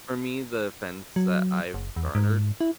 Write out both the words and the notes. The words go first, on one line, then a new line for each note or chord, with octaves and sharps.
For me, the fends that I've garnered
F#3
F#1
E2
G#2
E4